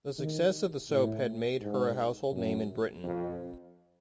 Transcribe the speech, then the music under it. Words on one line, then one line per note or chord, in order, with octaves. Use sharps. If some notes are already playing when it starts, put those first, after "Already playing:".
The success of the soap had made her a household name in Britain.
D#3
A2
G#2
F#2
F2